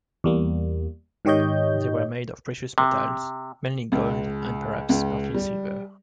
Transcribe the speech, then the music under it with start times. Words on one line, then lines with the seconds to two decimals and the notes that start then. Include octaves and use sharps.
They were made of precious metals, mainly gold and perhaps partly silver.
0.24 E2 G3 A#3
1.25 G#2 D#3 G4 C#5 D#5 G6
2.78 C3
3.92 C#2
4.89 C#2
5.34 G3